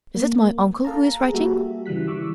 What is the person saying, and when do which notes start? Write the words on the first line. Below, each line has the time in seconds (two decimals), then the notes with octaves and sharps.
"Is it my uncle who is writing?"
0.16 A#3
0.85 A4 F5 A5 A#5
1.20 G#4 A4
1.33 G3 A#3 F#4 G4 E5
1.86 C#3 E3 G3 F#6 B6
2.07 E3 G3 C#6 D6 E6